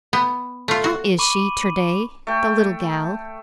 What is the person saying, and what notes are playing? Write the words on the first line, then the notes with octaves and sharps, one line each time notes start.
"How is she, ter-day--the little gal?"
B3
A3 F4
F#4
B5 C#6 D6 D#7 F#7
A3 G5